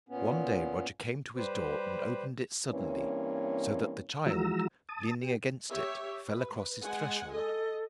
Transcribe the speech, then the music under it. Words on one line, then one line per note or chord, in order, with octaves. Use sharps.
One day Roger came to his door and opened it suddenly, so that the child, leaning against it, fell across his threshold.
A#2 B3 C#4
G3 G4 B4 C5
G2 E3 A#3 C4 C#4 C#5
E3 F3 G#3 F#4 A#5 E6
A5 D#6
G4
G4 C#5 E5
B4
G#3 F#5 G#5
A4 D#5